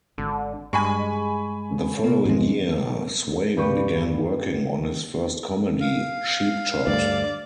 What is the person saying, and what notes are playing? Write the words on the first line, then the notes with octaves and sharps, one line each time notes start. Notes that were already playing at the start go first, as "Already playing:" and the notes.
The following year, Swaim began working on his first comedy, "Cheap Shot".
G#1 D3
G2 G#3 G#5 B5 C#6
C3 B3
G#2 D#3 G#3
G2 G3 G4 B4 C#6
F5
D2 G2 D5